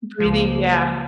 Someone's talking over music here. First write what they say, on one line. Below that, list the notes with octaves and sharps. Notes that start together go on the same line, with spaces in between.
breathing Yeah,
C#2 F3 A#3